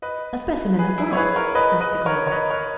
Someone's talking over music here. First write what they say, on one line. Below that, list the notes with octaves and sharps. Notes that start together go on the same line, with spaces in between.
"A specimen of what?" asked the girl.
B4 D#5
G#4 B4
E4 G#4
C#5
G#4 B4
A#4 C#5
B4 D#5
B4 D#5
A#4 C#5
C#5
B4 D#5
A#4 C#5